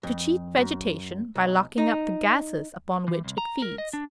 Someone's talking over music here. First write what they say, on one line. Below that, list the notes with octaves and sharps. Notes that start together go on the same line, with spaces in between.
To cheat vegetation by locking up the gases upon which it feeds.
F2
F#2
B1
D#4
E3
C2
A#5
A#4
D#5
D4